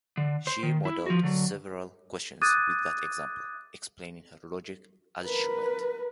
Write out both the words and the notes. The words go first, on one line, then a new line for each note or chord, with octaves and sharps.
She modeled several questions with that example, explaining her logic as she went.
D3
C5
D#3
E4
F3 F#4
D3 F#3
D6 D#6 F#6 G#6 A6 D#7
A#4 B4